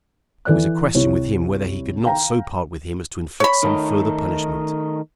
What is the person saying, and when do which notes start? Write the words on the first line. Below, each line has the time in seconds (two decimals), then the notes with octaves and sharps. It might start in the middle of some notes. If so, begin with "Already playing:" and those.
It was a question with him whether he could not so part with him as to inflict some further punishment.
0.45 E3 A4 D5 F#6
0.95 C2 E4 C#5
2.06 F5 G5 A#5
3.40 C#5 B5
3.63 D#3 A3 D#4